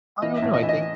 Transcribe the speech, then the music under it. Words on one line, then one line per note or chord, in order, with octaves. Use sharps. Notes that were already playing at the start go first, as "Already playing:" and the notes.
I don't know. I think
E3 D#5
A2 E5
D#5
E3 E5
D#5